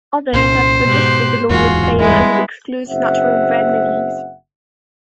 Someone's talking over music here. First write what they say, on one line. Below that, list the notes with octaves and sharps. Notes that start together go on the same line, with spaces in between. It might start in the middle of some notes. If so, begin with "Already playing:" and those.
Others have suggested the law will fail as it excludes natural remedies.
C2 A#2 C#4 C5
G#2 B2 G4 F#6
D1 E2 G#2 F4 F#4 G#4
G3 G#3 B3 E4
F#1 C4 E5 F#5